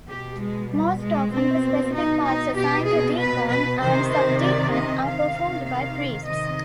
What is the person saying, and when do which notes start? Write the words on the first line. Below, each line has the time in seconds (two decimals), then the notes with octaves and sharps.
Most often the specific parts assigned to deacon and subdeacon are performed by priests.
0.08 B2 G4
0.40 G#3
0.71 G3
1.01 G#3
1.33 B2 C4
1.94 D#4
2.25 D#4
2.55 B2 G4
2.86 G#4
3.18 B4
3.48 B4
3.79 C3 D#3 C5
4.10 C5
4.41 D5
4.71 D#5
5.03 C3 D#3 F5
5.65 F5
6.26 C3 D#3 D#5